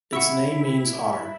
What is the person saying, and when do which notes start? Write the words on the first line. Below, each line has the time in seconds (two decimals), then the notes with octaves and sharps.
Its name means "otter".
0.13 E4 F#5 C#6 E6